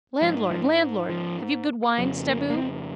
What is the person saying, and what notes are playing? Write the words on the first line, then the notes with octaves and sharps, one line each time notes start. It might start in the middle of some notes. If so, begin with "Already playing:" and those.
Landlord, landlord, have you good wine, staboo?
G#2 F3
F3
F3
F2 C#3 F#3
A#3
A#3
C4